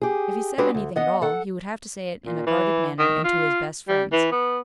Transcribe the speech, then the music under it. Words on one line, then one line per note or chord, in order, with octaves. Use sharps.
If he said anything at all he would have to say it in a guarded manner and to his best friends.
G4 G#4
G#3 C4 D4 F#4 G4 B4
D2
B3 D#5 F#5
A4 F#5
A#2
E3
D#3
F4
G3
E3
B3